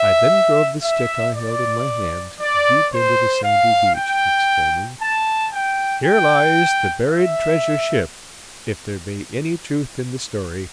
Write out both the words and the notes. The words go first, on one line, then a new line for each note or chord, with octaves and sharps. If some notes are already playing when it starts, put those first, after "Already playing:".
I then drove the stick I held in my hand deep into the sandy beach, exclaiming, "Here lies the buried treasure-ship, if there be any truth in the story."
Already playing: E5
E5
D5
D5
C5
F5
G5
A5
G5
G5
E5